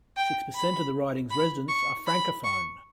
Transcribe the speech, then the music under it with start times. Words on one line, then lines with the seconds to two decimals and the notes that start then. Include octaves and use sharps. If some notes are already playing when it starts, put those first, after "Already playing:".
Six per cent of the riding's residents are francophone.
0.17 G5
0.55 B5
1.31 B5
1.69 C#6
2.07 B5
2.44 C#6